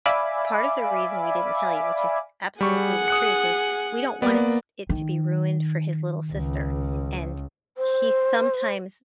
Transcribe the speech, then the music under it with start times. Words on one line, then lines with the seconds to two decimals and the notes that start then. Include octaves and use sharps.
"Part of the reason we didn't tell you," which is absolutely the truth, is, we don't want it it to be ruined for his little sister, and he sometimes
0.05 D5 E5 F5 G#5 B5 D6
2.61 G3 G#4 F#5 C#6
3.08 D#6 F#6 C#7
4.22 A#3 B3 D5
4.89 D#3
6.32 C#2
7.77 C5